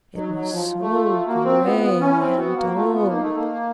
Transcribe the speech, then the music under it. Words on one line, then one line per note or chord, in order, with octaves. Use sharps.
It was so gray and old.
F#3 D#4
F#3
F3 F4
A3
F4
A#3 F#4
C4
B3 F4
B3
C#4 E4
C4
B3 F#4
A#3
A3 F4
B3
A#3 D#4
A3
A#3